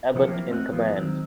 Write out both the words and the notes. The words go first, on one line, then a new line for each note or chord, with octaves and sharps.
Ebert in command.
C3 F3 A#4 D#5 F#5 A5
F3 F#3 A#3 C4 E4 G4
A3 C4 D#5 F5 F#5
E3 F3 G3 A3 B3 F4
D#3 F#3 G#3 C4